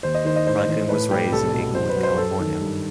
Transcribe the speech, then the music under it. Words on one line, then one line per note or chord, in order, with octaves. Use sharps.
Franklin was raised in Inglewood, California.
D#2 C5
D#5
D#3 C5
D#5
A2 C5
D#5
E3 C5
A2 B4
G3 G4
C2 A4
A4
B2
A4
F#2 C5
B4
F#3
C5
F#2 A4
D#3
G2